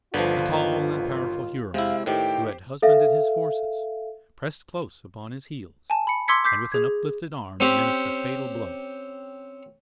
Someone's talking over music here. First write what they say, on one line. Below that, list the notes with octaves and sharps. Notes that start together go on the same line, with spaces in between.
A tall and powerful Huron, who had husbanded his forces, pressed close upon his heels, and with an uplifted arm menaced a fatal blow.
G1 D#2 D3 F3 F4 B4
C3 G#3 E4 F5
A2 D#3 G4 C5 G5
A4 E5 F5
G#5 A5
B5 C#7
C6 D6 E6 G#6 B6 C#7
D6 G6 B6 C7
G#4 G#6
C4 C#4 G4